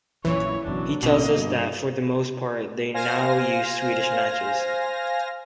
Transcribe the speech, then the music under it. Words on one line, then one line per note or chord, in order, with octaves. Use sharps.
He tells us that for the most part they now use Swedish matches.
A#1 F#2 A#2 E3 C#5
F#1 F#2 B2 F#3 D4
A1 B2 A#3 C#4 D#5
G2
C5 F5 G#5 F6 A#6